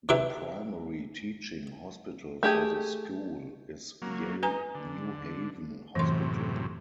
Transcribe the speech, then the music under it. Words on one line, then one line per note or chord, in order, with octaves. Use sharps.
The primary teaching hospital for the school is Yale-New Haven Hospital.
C3 D#3 D4 E4 B4
A3 G4 G#4
F#3 A#3
D#4 B4 G#5 A#5
D3
F#2 A2 C3 E3 C6